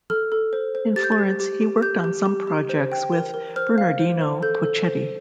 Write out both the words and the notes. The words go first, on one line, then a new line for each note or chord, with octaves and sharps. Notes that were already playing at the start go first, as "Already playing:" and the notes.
In Florence, he worked on some projects with Bernardino Poccetti.
A4 F6
A4
C5
C5
G4 A6
G6
A6
G4
G4
G4
G4 G6
G4
G4
G4
C5
G5
A#4
A#4
C5 F6
F5
C5
C5
A4 G6
A4
C5